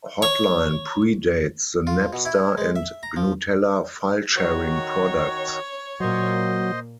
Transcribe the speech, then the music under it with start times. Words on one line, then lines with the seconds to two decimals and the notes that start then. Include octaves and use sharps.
Hotline predates the Napster and Gnutella file sharing products.
0.22 C#5
1.87 F4
2.13 B2
2.25 E4
2.58 G#3
2.76 E5
3.03 A#5
3.16 F3
4.36 D#3 F#4 C#5
6.00 A#2 F#3 A#3 C5 D#5 C6